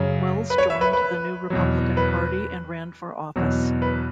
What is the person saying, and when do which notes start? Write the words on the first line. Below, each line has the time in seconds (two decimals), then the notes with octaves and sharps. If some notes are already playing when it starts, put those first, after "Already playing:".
Wells joined the new Republican Party and ran for office.
Already playing: F#2 C#3 F#3
0.50 B4
0.58 C#5
0.70 E5
0.81 B4
0.93 B4
1.50 E2 B2 F#3
1.97 B4
3.36 E2 B2 F#3
3.82 B4